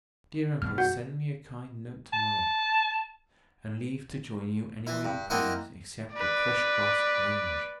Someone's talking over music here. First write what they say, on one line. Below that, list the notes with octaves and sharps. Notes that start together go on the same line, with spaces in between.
Dear uncle! send me a kind note to-morrow, and leave to join you anywhere you please, except at Thrushcross Grange.
F#2 B2 G3 F6
F#4 F#5 G6
A5
E3 E4
G2
A#3 C4 E4 D#5 F5 F#5
B4 D5